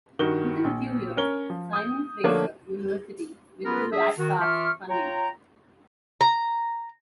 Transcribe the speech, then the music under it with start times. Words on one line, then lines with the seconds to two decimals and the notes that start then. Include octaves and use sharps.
Within a few years, Simon Fraser University withdrew Rat Park's funding.
0.19 G2 D#3 F#4 G7
0.64 A#1
1.17 C#4 A#4 C#5 G7
1.50 F3
1.73 D#6 G6
2.24 D3 F3 A3 A#3 D4 C#5
3.64 B3 C#4 F4 G#4 A#4 B4
3.91 D4 G#4 E5
4.18 D#3 F#4
4.39 E3 F4 E5 C#6 D6 F6
4.90 F4 C#5 G5 A#5
6.21 A#5